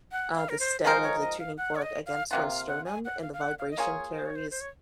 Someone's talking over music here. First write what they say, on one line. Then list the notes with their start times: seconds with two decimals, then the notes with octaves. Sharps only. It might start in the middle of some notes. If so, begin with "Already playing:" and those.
uh, the stem of the tuning fork against my sternum and the vibration carries,
0.12 F#5
0.36 F5
0.49 A#4
0.60 C5
0.85 F3 G#3 D#4 A#4 C5
1.03 C#5
1.21 D#5
1.39 F5
1.57 F#5
1.76 C#5
1.82 D#5
2.06 F5
2.31 C3 D#3 A#3 F4 F#5
2.49 F5
2.68 F#5
2.86 G#5
3.05 F#5
3.22 F5
3.33 F5
3.41 F#5
3.59 F5
3.71 D#5
3.78 A#3 F4 G#4 C#5
4.14 C5
4.26 C#5
4.36 C5
4.51 C5
4.61 C#5